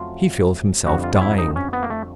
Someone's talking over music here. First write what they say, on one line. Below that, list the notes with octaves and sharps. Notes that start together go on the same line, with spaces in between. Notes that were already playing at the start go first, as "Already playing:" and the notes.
He feels himself dying.
Already playing: F2 C#3 F#3 A3 F4
F2 D3 G3 F#4
F4
F4
E4
D#4
C#4
B3
A#3
A3